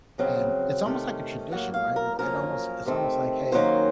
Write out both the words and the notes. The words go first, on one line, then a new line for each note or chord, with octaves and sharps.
and it's almost, like, a tradition, right? It it almost it's almost, like, "Hey,
F2 C#3 F#3 C4
C3 D#3 A3 C#4
A2 F#3 A#3 F#5
F5
A#4
F#2 F3 A#3 C#4 A#4
C3 D#3 A3 C4
D#2 D#3 F#3 A#3 C#4 C5